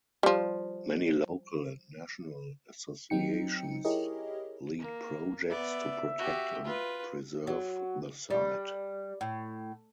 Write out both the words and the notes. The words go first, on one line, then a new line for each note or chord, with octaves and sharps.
Many local and national associations lead projects to protect and preserve the site.
F3 G3
F#3 C4 D#4 G5 C#7
E4 G4 G#4 A#4 C#5 D#5
A#3
B3 D5 E5
F#4 G4
F4 B4
F#3
G3
A2